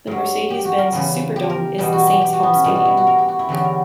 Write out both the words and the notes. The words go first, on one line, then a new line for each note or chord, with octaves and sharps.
The Mercedes-Benz Superdome is the Saints' home stadium.
G2 F#3 A#4
G4
F#4
A#4
E2 C#3 G3
G4
A#4
E2 B2 G3 G4
F#4
G4
G4
F#4
B3
C#4
B2 G3 D4
F#4
E4
F#4
A#4
G4
F#4
E4
E2 D3 F#3 G4
A#4